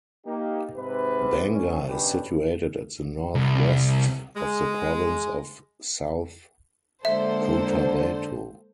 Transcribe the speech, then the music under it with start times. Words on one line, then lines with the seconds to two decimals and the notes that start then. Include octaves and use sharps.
Banga is situated at the north-west of the province of South Cotabato.
0.26 A#3 D#4 G4
0.76 G#2 C3 B4
1.52 C2 C#4
1.88 F#2 B2 C#4 D4 G4 B4
3.35 C2
4.36 G#3
7.05 D3 G#3 A#3 A4 C5 E5